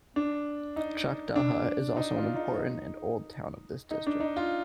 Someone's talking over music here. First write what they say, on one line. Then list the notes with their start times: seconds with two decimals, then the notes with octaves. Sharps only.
Chakdaha is also an important and old town of this district.
0.16 D4
0.76 D#4
1.36 D4
1.97 D#4
2.17 F4
2.36 D#4
2.56 D#4
3.91 D#4
4.07 D4
4.20 D#4
4.37 F4